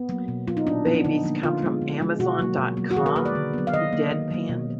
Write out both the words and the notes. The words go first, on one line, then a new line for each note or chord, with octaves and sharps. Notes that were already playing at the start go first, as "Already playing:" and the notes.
"Babies come from amazon.com," he deadpanned.
Already playing: B3
F#3 A#3
B2
F#3 B3 F4
D#4
A#2 D4
F3 B3
D4
D3 D#4
F3 A#3
D3 F4
G#3 B3
D3
F3 G#3
B2 F#4
F#3 A#3
B2
F#3 A#3
F#4
D#3 G#4
A#4
A#3 B4
D5
D3
F#3 B3
F5
D#3 D#5
A#3
D#3
F#3 A#3
B2